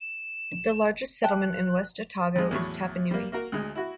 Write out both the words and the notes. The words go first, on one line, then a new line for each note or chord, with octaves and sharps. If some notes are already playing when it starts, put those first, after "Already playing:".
The largest settlement in West Otago is Tapanui.
E7
G5 A5 F#6
F2 G#3
E2 A2 F#3 C#6
G3 A#3
A#3 F#4 A#4
D2 G#3
E4 F#4